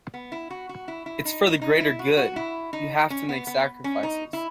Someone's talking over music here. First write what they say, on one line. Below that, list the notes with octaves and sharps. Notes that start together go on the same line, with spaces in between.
It’s for the greater good, you have to make sacrifices.
B3
E4
F#4
F#4
E4
E4
D#4
D#4
E4
F#4
F#4
E4
D#4
C#4
B3
B3
C#4
D#4
E4